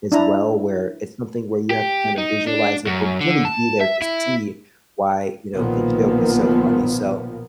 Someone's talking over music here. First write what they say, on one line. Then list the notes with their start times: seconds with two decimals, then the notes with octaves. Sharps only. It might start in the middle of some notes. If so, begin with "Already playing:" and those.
as well, where it's something where you have to kind of visualize it or really be there to see why, you know, the joke is so funny, so
0.12 D4 E4 A#5
1.70 G4
2.18 D#4
2.47 D4
2.87 F#2
3.21 D3
3.45 A5
3.81 E5
4.02 E4
5.54 B1 A#2 D#3 F3 A#3 B3